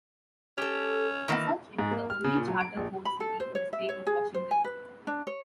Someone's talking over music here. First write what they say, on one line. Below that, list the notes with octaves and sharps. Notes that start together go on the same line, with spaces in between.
As such, it is the only Charter Code city in the state of Washington.
C#4 G4 A4
D#3 E3 A#3
G#2
A#3
F6
C#3
A#2
F#3
D7
A#1
B5
A4
C5
C#5
E5
C#5
G#4
C5
G#5
B4
D4
C#5